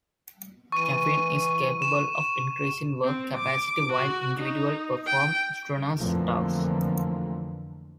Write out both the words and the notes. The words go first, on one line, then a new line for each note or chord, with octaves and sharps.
Caffeine is capable of increasing work capacity while individuals perform strenuous tasks.
E3 C#6 D#7
E7
C4
D6
F#4
D#4
G5
F2 D3 E3 F3 A3 A#3